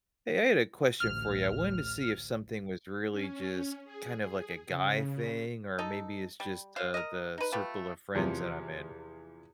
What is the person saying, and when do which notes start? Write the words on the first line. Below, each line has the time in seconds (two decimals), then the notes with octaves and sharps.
Hey, I had a question for you, I wanted to see if something was really just, kind of, like, a guy thing or maybe it's just, uh, the circle of friends that I'm in.
1.00 A1 D2 F6
3.11 C#4
3.85 G#4
4.21 G#4
4.67 C#3
5.79 D#4 A4
6.40 G3
6.76 C5 F5
6.94 A#4 D#5
7.38 D#4 B4
7.52 A3 F4 G4 B4
8.15 E2 C3 F3